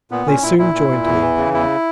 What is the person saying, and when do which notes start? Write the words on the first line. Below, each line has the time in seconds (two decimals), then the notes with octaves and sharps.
They soon joined me.
0.11 A#2 B3
0.27 A#2 C#4
0.43 A#2 E4
0.58 A#2 E4
0.74 A#2
0.90 A#2
1.06 E2
1.22 E3
1.37 C#3
1.54 E2 E4